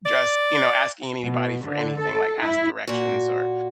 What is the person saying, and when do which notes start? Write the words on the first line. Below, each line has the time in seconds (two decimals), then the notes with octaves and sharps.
just, you know, asking anybody for anything, like ask directions or,
0.05 D5
1.24 B2
1.65 D3
2.00 A4
2.41 E4
2.87 A#2 F#4